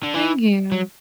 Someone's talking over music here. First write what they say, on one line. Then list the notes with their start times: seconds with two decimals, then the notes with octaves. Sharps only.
Thank you.
0.03 D3
0.14 E3
0.72 F#3